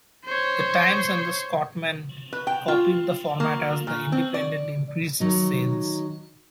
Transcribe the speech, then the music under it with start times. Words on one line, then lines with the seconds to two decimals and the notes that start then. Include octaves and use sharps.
"The Times" and "The Scotsman" copied the format as "The Independent" increased sales.
0.25 C5 C#5
2.33 B4
2.47 G5
2.68 F4
3.40 A#3
3.87 A#2
4.12 C4
4.34 D5
5.20 D#3 F#3 D#4